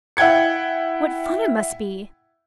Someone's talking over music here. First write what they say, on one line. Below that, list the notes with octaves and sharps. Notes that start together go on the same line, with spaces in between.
"What fun it must be!"
E4 F#5 G5 G#6 C#7